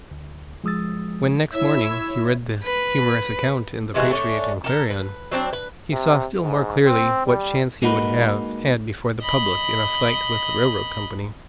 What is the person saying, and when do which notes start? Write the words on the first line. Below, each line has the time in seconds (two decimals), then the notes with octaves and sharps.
When next morning, he read the humorous account in the Patriot and Clarion, he saw still more clearly what chance he would have had before the public in a fight with the railroad company.
0.11 D2
0.64 F3 G#3 D#6 E6 A6
1.53 E4 C#5 E5 E6
2.64 B4
3.94 C3 E3 G#3 F#4
4.11 A3 C#4 D4
4.64 A4 A#4
4.90 B4
5.31 F#3 C4 D4
5.53 B4
5.92 C3
6.40 G#2
6.86 C4
7.27 G3
7.82 G#3 A#3 D#4 F#4 B4
9.22 D#5 B5